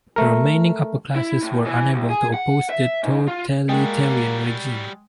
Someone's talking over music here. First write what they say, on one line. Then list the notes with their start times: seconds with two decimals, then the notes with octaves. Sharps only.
The remaining upper classes were unable to oppose the totalitarian regime.
0.16 A3 A#4
1.16 E4
1.43 A2
1.65 E3
1.93 C2
2.10 G#4
2.34 F#5
2.70 E5
3.03 G#2
3.28 F4
3.69 G3 G#3 A#3 F#4 G5